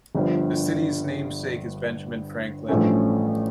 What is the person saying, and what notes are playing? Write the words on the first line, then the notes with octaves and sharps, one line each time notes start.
The city's namesake is Benjamin Franklin.
G1 G2 F3
A1 G2 F3 A3 C#4